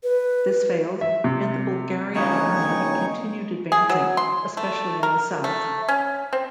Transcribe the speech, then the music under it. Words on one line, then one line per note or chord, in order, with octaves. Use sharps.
This failed and the Bulgarian army continued advancing, especially in the south.
B4
E5
C3
D#2 C#3 D#4 C#5 C#6
G#4
F#3
C6
A3
A#4
A3
C#4
C4